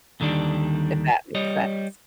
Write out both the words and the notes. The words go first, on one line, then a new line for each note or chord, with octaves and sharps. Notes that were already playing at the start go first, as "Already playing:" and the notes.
If that makes sense.
D#2 D3 D#3 G3 D4
G3 C#5 D#5